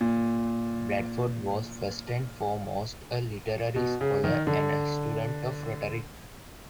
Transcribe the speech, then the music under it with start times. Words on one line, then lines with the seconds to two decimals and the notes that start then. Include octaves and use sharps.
Bradford was first and foremost a literary scholar and a student of rhetoric.
0.01 A#2
3.76 B2
4.01 C#3
4.24 D#3
4.47 D3